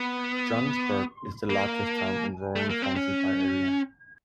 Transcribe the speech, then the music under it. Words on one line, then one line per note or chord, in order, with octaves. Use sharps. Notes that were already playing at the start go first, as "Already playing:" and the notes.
Johnsburg is the largest town in Warren County by area.
Already playing: B3
A#3
A3
A#3
C4
C#4